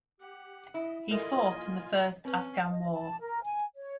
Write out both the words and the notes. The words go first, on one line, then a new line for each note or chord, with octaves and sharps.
He fought in the First Afghan War.
G4 F#5
E4 D#5
A#2 F4 A4 A#4 D#5 E5 G#5
C4 C#4 B4
D#5
A5
A#4
G#5
C#5